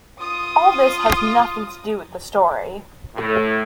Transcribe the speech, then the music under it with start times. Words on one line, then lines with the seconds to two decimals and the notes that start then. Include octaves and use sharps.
All this has nothing to do with the story.
0.20 F4 D#6
3.16 A2